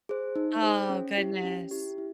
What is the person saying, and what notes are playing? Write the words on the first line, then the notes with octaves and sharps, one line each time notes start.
Oh goodness.
G#4 C5
D#4
G#4 C5
C#4
E4 G4
C#4
E4 G4
E4